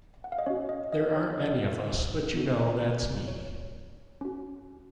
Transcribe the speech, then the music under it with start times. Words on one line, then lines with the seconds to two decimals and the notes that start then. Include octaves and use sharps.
There aren't many of us, but you know, that's me.
0.24 F#5
0.32 F5
0.39 D#5
0.46 C#4 F#4 C#5
0.69 D#5
0.92 D#5
1.16 C#5
1.40 D#5
2.33 B3 D#4 F#4
3.28 C#5
4.21 C#4 F#4